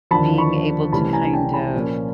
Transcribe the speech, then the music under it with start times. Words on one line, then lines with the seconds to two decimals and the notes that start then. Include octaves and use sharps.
being able to kind of,
0.11 D#2 D3 F3 A5 B5
0.38 B5 C#6
0.92 C2 C3 E3 A3 C#4 A5 B5
1.13 G#5 A#5
1.33 G5 A5
1.54 A5 B5
1.74 A#2 F3 A#3 C#4